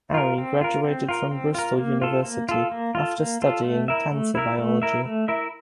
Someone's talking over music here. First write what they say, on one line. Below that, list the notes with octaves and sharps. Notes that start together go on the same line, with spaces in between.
Aryee graduated from Bristol University after studying cancer biology.
F4 A#4
C4
F4 A#4
C4
F4 A#4
C4
F4 A#4
A#3
F4 A4
A#3
F4 A4
A#3
F4 A4
A#3
F4 A4
A3
E4 A#4 E5
A3
E4 A#4 E5
A3
E4 A#4 E5
A3
E4 A#4 E5